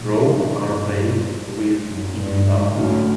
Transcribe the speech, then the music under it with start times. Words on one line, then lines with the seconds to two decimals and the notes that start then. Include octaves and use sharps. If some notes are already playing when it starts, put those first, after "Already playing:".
Roads are paved with sticky tar.
Already playing: A#2 F3 A#3 D4
0.10 G2
1.87 F#2
2.17 G2
2.46 G#2
2.75 A2 D3 F#3 A3 C#4 E4